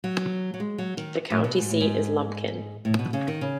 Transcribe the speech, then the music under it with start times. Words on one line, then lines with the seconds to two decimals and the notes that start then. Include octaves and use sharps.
The county seat is Lumpkin.
0.04 F#3
0.54 F#3
0.60 G#3
0.78 F#3
0.97 D#3
1.30 A2
1.44 B2
1.58 G#2
1.70 A2
1.81 G#2
2.85 A2
2.99 B2
3.13 C#3
3.28 D#3
3.41 C#3